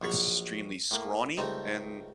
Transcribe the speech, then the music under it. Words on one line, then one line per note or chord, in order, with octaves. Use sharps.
extremely scrawny, and
A#1 F#3 C#5 B5
A2 A#3
C#2 G3 A3 C4 D#4